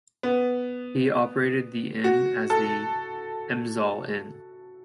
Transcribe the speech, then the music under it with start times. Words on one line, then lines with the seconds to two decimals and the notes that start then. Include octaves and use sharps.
He operated the inn as the 'Elmsall Inn'.
0.23 B3
2.04 F#4
2.50 A4